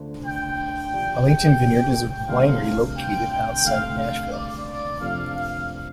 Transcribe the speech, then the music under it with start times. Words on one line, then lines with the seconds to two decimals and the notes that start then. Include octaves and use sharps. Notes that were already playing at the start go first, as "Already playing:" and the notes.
Arrington Vineyard is a winery located outside of Nashville.
Already playing: D2 D3 A3 F4 C5
0.24 G5
0.92 F3 D4 G4
1.25 G5
1.94 G5
2.28 D2 C3 G3 F5
2.96 G5
3.30 G5
3.64 D2 C3 A3 F5
3.97 F5
4.31 D5
4.65 D5
5.00 F2 C3 F3 A3 D4 F5
5.34 F5